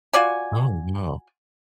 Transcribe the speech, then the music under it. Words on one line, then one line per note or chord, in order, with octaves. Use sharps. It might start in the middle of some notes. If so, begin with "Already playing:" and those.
Oh, no.
F4 F#4 D5 G#5